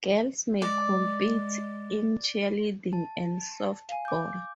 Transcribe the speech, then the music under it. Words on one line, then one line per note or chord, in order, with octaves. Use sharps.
Girls may compete in cheerleading and softball.
G#3 D5
A5
F5 G#5
D6 G6